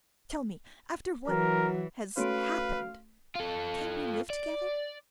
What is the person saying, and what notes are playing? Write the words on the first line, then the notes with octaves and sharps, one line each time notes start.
Tell me, after what ... has happened, can we live together?
E3 F#3 A#4
A3 C#4 F#4 B4 F5 C6 D7
F4 A4
D5